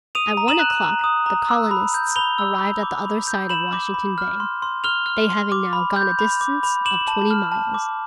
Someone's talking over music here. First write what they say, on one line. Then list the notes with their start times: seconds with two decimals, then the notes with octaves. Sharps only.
At one o'clock the colonists arrived at the other side of Washington Bay, they having now gone a distance of twenty miles.
0.15 D#6 D#7 F7
0.37 A#5
0.48 E7 F#7
0.59 F#6
0.83 A#5
1.04 D#6
1.26 A#5
1.49 E6
1.71 B5
1.94 G6
2.16 B5 F7 G7
2.38 E6
2.60 B5
2.83 D6
3.05 B5
3.27 G6
3.49 B5 E7 F#7
3.73 D6
3.94 B5
4.18 F6
4.40 C6
4.62 C6
4.84 F6 F7 G7
5.06 F6
5.29 C6
5.52 D6
5.73 B5
5.96 G6
6.19 B5
6.41 D6
6.63 B5
6.85 D6 E7 F#7
7.08 A5
7.30 F6
7.52 A5
7.74 D6